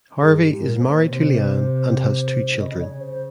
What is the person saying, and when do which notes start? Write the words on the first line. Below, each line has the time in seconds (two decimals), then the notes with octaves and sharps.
Harvey is married to Leanne and has two children.
0.20 G2 G#4
0.40 G4
0.50 G#2
0.61 A#4
0.80 A#2 C5
1.10 C3 C#5
1.15 C5
2.60 C#3 D#5
2.80 C#5
2.91 C#3
3.01 C5